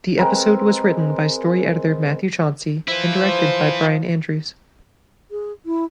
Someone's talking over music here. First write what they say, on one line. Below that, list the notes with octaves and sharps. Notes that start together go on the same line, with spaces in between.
The episode was written by story editor Matthew Chauncey and directed by Bryan Andrews.
G#3 C4 A#4 B4
F3 E4 B4 C5
G#4
E4